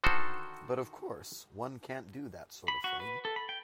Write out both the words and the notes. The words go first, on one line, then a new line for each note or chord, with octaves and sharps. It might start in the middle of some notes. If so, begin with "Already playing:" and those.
But, of course, one can't do that sort of thing.
D3 D#3 F#4 A4 C5
B5
F#4
B4
A4
B5
G5